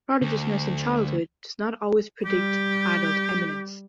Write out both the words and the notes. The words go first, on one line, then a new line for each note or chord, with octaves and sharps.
Prodigiousness in childhood does not always predict adult eminence.
D2
G3 G4